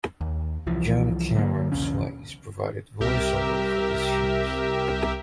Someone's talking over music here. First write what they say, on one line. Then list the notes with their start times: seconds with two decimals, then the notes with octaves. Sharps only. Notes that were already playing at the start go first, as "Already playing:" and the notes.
John Cameron Swayze provided voice-over for the series.
0.21 D#2
0.67 C2 E3 F3
1.35 D3 F#3 A#3
1.72 B1 E2 C#3 C#4
3.00 C2 G4 A#4 E5